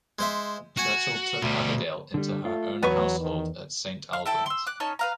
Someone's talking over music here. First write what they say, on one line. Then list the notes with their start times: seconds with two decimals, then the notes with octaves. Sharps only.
Churchill took Abigail into her own household at Saint Albans.
0.19 G#3 C5 E5
0.77 F#4 F#5 G#5
1.43 D2 B2 G3
2.14 D3 G3
2.45 A3 F4
2.83 E2 F#3 B3 B4 C#6
3.20 D#3
4.13 F5
4.26 E4 A4 G5
4.46 C6 E6
4.67 D6 F#6
4.80 C#4 D#4 C#5 A5
4.99 B4 F5 A#5